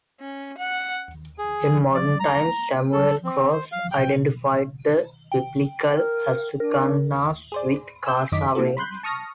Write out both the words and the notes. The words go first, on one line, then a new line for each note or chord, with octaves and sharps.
In modern times, Samuel Krauss identified the Biblical "Ashkenaz" with Khazaria.
C#4
F#5
G#4
D5
A#5
A4
C4
C5
F5
G5
G5
A#4
D4 A#4
G#4 C5 D5
G#5 E6 G6
A1 F#2 D#3 D#5 D6 B6
A#3 C4 E4 F#4 A4
B5 C6 F#6 G6
A5 C#6 D#6 F6 A#6